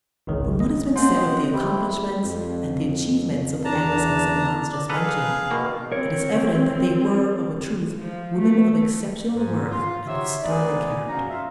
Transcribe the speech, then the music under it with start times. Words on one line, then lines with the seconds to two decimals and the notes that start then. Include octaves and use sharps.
From what has been said of the accomplishments and achievements of the Anglo-Saxon nuns just mentioned, it is evident that they were, of a truth, women of exceptional worth and of sterling character.
0.27 G#1 C#2 D#3
0.60 D#5
0.96 A#3 C#4 C5 F#5 C6
1.16 C4 D#5
1.54 C4 E4 G4
2.22 F2
3.65 E2 D4 A5 A#5
4.71 D5
4.89 G#4 A4 B4 F5 A#5
5.51 B2 D#3 A#3
5.92 C4 A#4 C#5
7.97 F3
8.38 A3
9.35 G#2
9.71 F4
10.07 D#4 F#4 G4 C5 C#5 E5
10.43 D2 G#3 B3 D#4 G#4 D5
11.08 F3 C#4 D#4 F#4 F5 A#5
11.31 F4 E5 F5